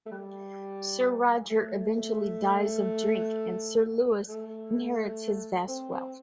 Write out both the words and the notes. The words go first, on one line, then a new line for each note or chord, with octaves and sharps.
Sir Roger eventually dies of drink and Sir Louis inherits his vast wealth.
A3
G3
A3
A3
C4
C4